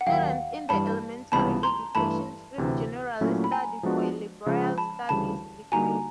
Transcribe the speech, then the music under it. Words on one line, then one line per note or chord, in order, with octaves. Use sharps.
Students in the elementary education stream generally study for a Liberal Studies degree.
F#5
D#2 D#3 F#3 F5 G5
G2 E3 G3 A5 B5
C#2 C3 E3 G3 B3 A5 B5
A#5 C6
G2 E3 A3 A5 B5
D2 C3 E3
A#2 F#3 A3 C#4 E4
B5
G#5 A#5
F3 G#3 B3 D4 F#4
C#3 F3 G#3
A5 B5
D2 C#3 E3 G3 A5 B5
D3 G3 A#3 D#4 F#4 G#5 A#5